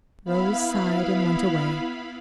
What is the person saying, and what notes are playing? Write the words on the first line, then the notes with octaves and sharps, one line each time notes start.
Rose sighed, and went away.
B3 E4 F5 B5